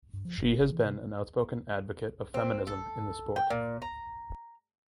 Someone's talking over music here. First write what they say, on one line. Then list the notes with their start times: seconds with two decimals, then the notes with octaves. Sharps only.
She has been an outspoken advocate of feminism in the sport.
0.13 G2
0.25 F3
0.42 F1
0.59 G1
0.72 E3
0.85 C3
2.34 C4
2.67 A4
3.36 G5
3.50 A#2
3.82 A#5